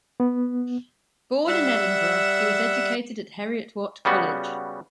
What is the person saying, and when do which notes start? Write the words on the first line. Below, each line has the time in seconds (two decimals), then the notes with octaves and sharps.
Born in Edinburgh, he was educated at Heriot-Watt College.
0.20 B3
1.48 G3 E5 F#5 E6
4.05 C#3 G3 B3 F#4